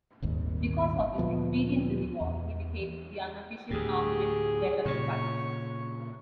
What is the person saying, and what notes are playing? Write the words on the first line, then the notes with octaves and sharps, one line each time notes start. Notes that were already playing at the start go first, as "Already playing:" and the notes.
Because of his experience in the war he became the unofficial armament development pilot.
D#1 G#1 D#2
D2 A#2 F3 B3
E2
D2 A2 G4 G#4
A#2 C#3 C#5 C#6